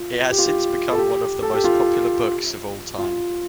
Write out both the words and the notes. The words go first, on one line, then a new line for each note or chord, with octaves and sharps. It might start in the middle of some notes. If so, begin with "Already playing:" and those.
It has since become one of the most popular books of all time.
Already playing: F4
G4
F4
G4
A4
G4
A4
G4
F4
F4